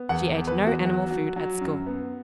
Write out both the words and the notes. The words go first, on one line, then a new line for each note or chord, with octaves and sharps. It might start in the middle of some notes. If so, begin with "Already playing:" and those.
She ate no animal food at school.
Already playing: B3
E2 F#5
E2
B4
E2
F#4
F#3 F#4
F#3
F#3
F#2
B3